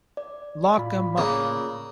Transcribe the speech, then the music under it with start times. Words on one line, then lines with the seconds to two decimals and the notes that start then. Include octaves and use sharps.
Lock 'em up.
0.17 D5
0.78 A2 F4 B5
1.18 C#3 A#3